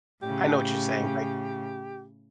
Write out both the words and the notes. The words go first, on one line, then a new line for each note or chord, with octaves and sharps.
I know what you're saying, like
A2 C#3 G4